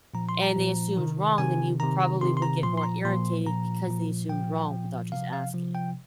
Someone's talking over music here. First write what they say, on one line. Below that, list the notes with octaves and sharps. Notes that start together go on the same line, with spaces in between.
and they assumed wrong, then you probably would get more irritated because they assumed wrong without just asking.
A#2 F3 A#5
C6
A#5
A#2 F3
C3 D#3
C3 D#3 G#5
C3 D#3 A#5
A#5
C3 D#3 C6
C6
A#5
A#2 F3 C6
C6
A#5
A#2 F3 C6
A#2 F3 A#5
A#2 F3
A#2 F3 G5
A#2 F3
C3 F3 F5
F5
C3 F3
G5